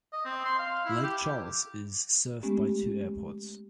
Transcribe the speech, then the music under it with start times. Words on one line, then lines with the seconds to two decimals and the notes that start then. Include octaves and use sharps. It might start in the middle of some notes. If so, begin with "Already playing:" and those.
Lake Charles is served by two airports.
0.13 D#5
0.25 C4
0.45 C6
0.59 F5
0.85 E4
1.03 G4
1.18 D6
2.43 G#3 A3 B3 C#4 G4